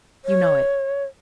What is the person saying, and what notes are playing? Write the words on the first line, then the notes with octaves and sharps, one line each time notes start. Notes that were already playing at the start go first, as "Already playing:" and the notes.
You know it.
C#5